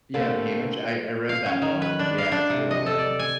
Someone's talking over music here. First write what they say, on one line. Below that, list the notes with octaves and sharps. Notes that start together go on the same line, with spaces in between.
Yeah, of Haymitch? I I read that one. Yeah, it's really good.
D3 A3 A#3 C4 G4
F5
C#4
D#3
B4
D4
F5
D4
C3
D#5
A4
D5
G#5